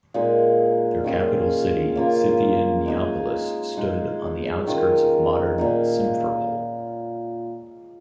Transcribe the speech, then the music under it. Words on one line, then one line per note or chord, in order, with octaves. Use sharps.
Their capital city, Scythian Neapolis, stood on the outskirts of modern Simferopol.
A#2 G#3 D#4 G#4
D#3 C#4 F4 G#4
C#3 A#3 F4
G#3 D#4 G#4
G#3 D#4 G#4
D#3 C#4 F4
A#2 A#3 D#4